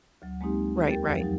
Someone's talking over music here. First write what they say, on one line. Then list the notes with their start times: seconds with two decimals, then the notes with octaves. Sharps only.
Right, right.
0.22 D2 F#3
0.41 G#3 A#3 C4 D#4 G4
0.87 E2 G4 A#4 G5 A6
1.04 F2 F3 G3 A6
1.21 F#3 D#4 G4